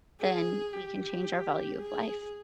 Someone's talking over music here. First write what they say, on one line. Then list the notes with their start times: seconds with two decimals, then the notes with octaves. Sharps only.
then we can change our value of life.
0.20 G#4
0.73 G4
1.79 G#4